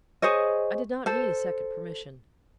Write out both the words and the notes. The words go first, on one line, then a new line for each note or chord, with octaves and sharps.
I did not need a second permission.
G#4 C5 C#5 D#5
A4 C5